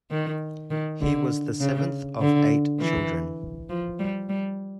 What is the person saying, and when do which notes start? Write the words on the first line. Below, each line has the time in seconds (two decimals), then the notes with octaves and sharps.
He was the seventh of eight children.
0.11 D#3
0.71 D#3
1.01 D3
1.60 C#3
2.21 D3
2.80 E3
3.69 F3
3.99 G3
4.29 G3